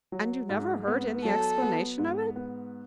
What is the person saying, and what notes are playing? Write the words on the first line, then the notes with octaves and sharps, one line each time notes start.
"And you never heard any explanation of it?"
F#3
G#2
B3
F#3 A4
B3
G#2
B3